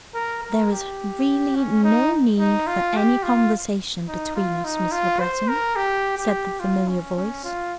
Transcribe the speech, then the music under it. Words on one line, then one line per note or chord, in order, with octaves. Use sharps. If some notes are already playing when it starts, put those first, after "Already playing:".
"There is really no need for any conversation between us, Miss Le Breton," said the familiar voice.
A#4
A#4
G4
C#4
D#4
D#4
F4
G4
F4
D#4
F4
D#4
F4
C5
A#4
G4
G4
F4
C#4
C#4
F4